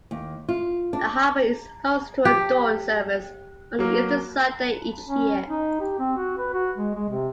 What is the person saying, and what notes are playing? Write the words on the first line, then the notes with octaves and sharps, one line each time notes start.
The harbour is host to a dawn service on Easter Sunday each year.
D#2
F4
D4
G4
F#3 A#3
C#4
D#4
G4
C4
F#4
B4
F#4
G#3
G#3
C3